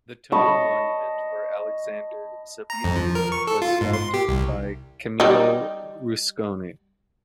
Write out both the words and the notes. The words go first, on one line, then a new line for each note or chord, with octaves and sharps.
The tomb monument for "Alexander Sobieski" was sculpted by Camillo Rusconi.
D#5 A5 B5 C#6
A#5
F2
F3
A#4
C#6
A4
F4
G#2
C6
G4
C2
G3 D#4